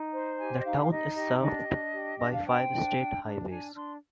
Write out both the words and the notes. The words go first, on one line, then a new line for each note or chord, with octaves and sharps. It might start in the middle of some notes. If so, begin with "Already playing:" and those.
The town is served by five state highways.
Already playing: D#4
C5
G4 G#5
D#5
D#4 F5
F5
D#4 D#5
G4 D#5
D4 D#5
D4
G4
D4 D#5
F5
C5 G5
D4
D4
D4
D4 G#5
D4 C6